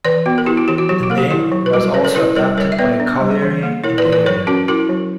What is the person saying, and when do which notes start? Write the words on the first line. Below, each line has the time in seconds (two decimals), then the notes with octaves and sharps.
The name was also adopted by a colliery in the area.
0.05 E3 B4 D5
0.26 B3 F#4
0.38 A#4
0.46 E4 G4
0.57 F#4
0.68 E3 G4
0.78 F#4
0.89 F#3 G4
1.03 F#4
1.10 A#3 A#4
1.18 G4
1.31 E4 G4
1.52 F#3
1.66 B4
1.73 G3 F#4 A#4
1.94 C#4 B4 D5
2.05 A#4 C#5
2.15 E4 B4 D5
2.36 G3 A#4 C#5
2.57 G3 A#4 C#5
2.72 E5
2.79 B3 B4 D5
3.00 D4
3.21 G3
3.42 E3
3.63 A#3
3.84 E4 A#4 C#5
3.98 B4 D5
4.05 E3
4.12 B4 D5
4.26 F#3 A#4 C#5
4.47 C#4 F#4 A#4
4.68 E4 F#4 A#4
4.89 F#3